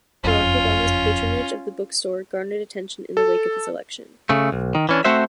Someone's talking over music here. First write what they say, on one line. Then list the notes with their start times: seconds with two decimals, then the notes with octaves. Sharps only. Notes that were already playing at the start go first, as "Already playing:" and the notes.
Barack Obama's patronage of the bookstore garnered attention in the wake of his election.
0.24 F#1 F2 C#4 F4
3.17 A4
4.29 C#3 A3
4.52 B1
4.75 D#3
4.89 E3 C#4 D4
5.05 A3 C4 F#4 C5 E5